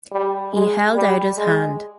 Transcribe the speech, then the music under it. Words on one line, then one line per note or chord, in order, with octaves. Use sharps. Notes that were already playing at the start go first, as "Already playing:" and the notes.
He held out his hand.
G3
G#3
G3
G#3